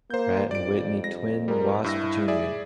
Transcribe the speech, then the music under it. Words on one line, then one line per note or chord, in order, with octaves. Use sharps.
Pratt and Whitney Twin Wasp Junior.
A#3 C5 G6
F2 D5 D7
A#6
G3 G#3 A#4
G2 E4 E6 A#6
G#4 D5 E5